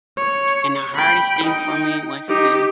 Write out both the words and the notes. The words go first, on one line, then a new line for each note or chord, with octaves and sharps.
and the hardest thing for me was to
C#5
G5 B5
D#4 G5
D#4 G4